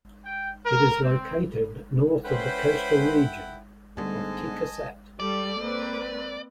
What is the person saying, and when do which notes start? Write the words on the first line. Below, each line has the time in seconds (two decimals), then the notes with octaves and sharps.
It is located north of the coastal region of Tiquisate.
0.24 G5
0.65 A#4
1.02 C4
2.25 C#4 E4 B4 C5 F#5 G5
3.97 G#2 D3 G3 A3 B3 D#5 G#5 A5
5.20 G3 A4 D5
5.60 A#3 C4 B4